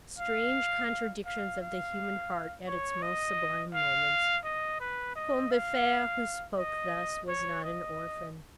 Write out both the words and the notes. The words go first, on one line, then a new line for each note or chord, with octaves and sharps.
Strange contradictions of the human heart at its most sublime moments. Combeferre, who spoke thus, was not an orphan.
F5
F5
F5
C#5
D#5
F5
D#5
B4
D#5
F5
D#5
C#5
D#5